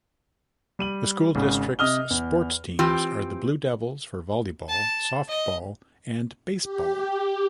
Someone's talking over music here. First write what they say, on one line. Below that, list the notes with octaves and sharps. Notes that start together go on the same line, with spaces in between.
The school district's sports teams are the Blue Devils for volleyball, softball, and baseball.
G3 D#7 F#7
G#1 C#3
C3 D#5 D#6 F6 G7
E2
E3 C4 F4 G4
A5
D#5
G4